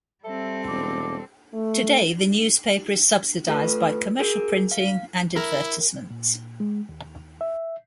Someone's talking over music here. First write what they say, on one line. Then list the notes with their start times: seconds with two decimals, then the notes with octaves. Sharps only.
Today, the newspaper is subsidized by commercial printing and advertisements.
0.24 G3 C4 A4 E5
0.68 E1 D6
1.54 A3
3.47 A3 F4 G4 A4 B4
4.19 F#4 G#4 A#4
4.71 F5
5.36 E4 A#4
6.11 A#2
6.60 G#3
6.89 D#2
7.41 E5